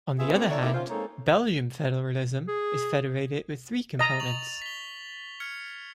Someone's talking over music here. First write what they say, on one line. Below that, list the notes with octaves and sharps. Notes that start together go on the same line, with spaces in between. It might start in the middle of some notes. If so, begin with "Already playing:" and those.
On the other hand, Belgian federalism is federated with three components.
B3 F4 G#4 E5
B3 C4 D4 F#4 A4
D#4 F#4 A4 C#5 D5 E5
A#3 D#4 E4 G4 A4 A#4
C#4 F4 C5
G#3 A#3 C4 D#4 A4 C#5
G#4
D#5 A#5 A6
C#6 F7 F#7
B6 G7
F6 G#6 C#7